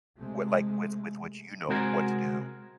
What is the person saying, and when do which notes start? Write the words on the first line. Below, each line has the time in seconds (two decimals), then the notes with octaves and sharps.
what, like, with with which you know what to do
0.18 C3 G#3 A3
1.69 C3 G#3 C4 F#4 G#4 A#4